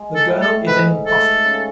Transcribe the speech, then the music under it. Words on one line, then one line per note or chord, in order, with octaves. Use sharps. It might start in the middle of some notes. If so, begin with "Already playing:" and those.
The girl is an impostor.
Already playing: G#3
A4
A2
A4
G#2 B4
A3 A4
C#3